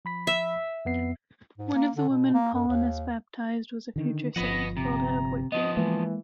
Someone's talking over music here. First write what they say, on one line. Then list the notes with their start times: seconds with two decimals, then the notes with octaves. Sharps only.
One of the women Paulinus baptised was a future saint, Hilda of Whitby.
0.05 F3 B5 B6
0.27 E5
0.85 F2 B3 C7
1.58 G#2
1.74 A#3
1.96 D3
2.09 B2
2.34 A#3
2.54 F#2
2.68 D#2
3.96 D3 D#3
4.36 G1 F3 B4 D#5 F#5 A#6
4.77 C3 A#5
5.52 F3 B3 D#5
5.77 E3 G#3 A#3